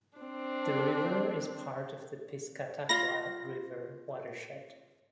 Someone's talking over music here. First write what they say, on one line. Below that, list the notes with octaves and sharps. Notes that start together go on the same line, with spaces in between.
The river is part of the Piscataqua River watershed.
C4 D4
F4 F5 B5 A#6